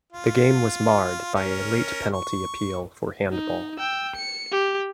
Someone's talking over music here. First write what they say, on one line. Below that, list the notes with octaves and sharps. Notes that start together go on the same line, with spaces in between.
The game was marred by a late penalty appeal for handball.
F4
C#4 A#4
C#6
D#4
G5 E6
C#7
G4